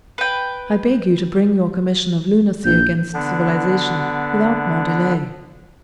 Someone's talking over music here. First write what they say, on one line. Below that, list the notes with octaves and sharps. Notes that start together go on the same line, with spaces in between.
I beg you to bring your commission of lunacy against civilization without more delay.
B4 G5
A#1 G6
D3 B3 D4